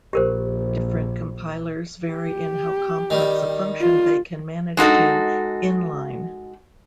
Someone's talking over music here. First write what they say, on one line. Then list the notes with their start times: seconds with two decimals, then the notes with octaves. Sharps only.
Different compilers vary in how complex a function they can manage to inline.
0.13 A#1 G4 A#4 C5
2.11 G4
3.10 D#3 G3
3.81 F4
4.77 G#3 D#4 F#4 A4